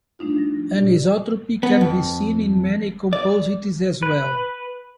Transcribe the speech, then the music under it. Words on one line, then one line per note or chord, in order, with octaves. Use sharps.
Anisotropy can be seen in many composites as well.
G3 A3 D4 D#4 F4
F3 A#6
A#2 G4 D5
B3
F2
D5
B4